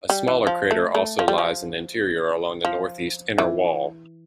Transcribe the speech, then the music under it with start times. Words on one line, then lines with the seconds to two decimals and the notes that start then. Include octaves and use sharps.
A smaller crater also lies in the interior along the northeast inner wall.
0.10 G3
0.28 E3
0.47 F3
0.71 A3
0.95 A3
1.19 F3
1.28 G3
1.38 F3
2.65 F3
3.38 E3